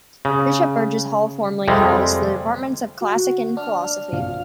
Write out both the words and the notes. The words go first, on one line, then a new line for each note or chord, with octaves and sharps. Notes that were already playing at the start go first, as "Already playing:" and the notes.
Bishop Burgess Hall formerly housed the departments of Classics and Philosophy.
C#3
F2 C3 G3 G#3
F#4
D4 F6
A#1 F5